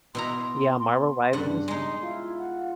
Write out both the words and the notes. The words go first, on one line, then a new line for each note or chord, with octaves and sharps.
Yeah, Marvel Rivals
B2 E4 A#5 C6
G2 C#3 F#5
G#3 D#4 C6
E4 F4
F#5